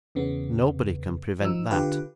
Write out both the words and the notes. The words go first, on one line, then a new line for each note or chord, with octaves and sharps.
Nobody can prevent that.'
E2 C#3 B3
F3 D#4 E6
D3 F4 G4 B4